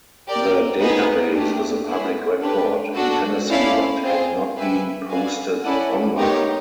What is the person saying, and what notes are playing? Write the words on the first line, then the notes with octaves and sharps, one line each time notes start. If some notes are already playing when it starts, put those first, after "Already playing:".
The database is a public record in Tennessee but had not been posted online.
G4 A#4 D5
B3 D#4 G#4 B4 D#5
A3 D4 G4
B3 E4 G#4
D4 G4 B4
D4 F#4 A4
C#4 E4 A4 D5 F5
C4 F4 G#4 C5
G4 B4 E5 G#5
F#4 B4 D5 F5 G#5
C#4 E4 A4 D5 F#5
B3 D#4 G4 A#4 C#5